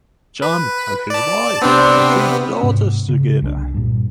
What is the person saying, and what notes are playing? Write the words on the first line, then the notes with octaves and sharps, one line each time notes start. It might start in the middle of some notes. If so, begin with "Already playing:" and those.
Chun and his wife have three daughters together.
B4
D5 A5
C3 B3 C4 D4
G#2 C3 A#3 C#4
C#3
C2 G3 D4
G2 A#2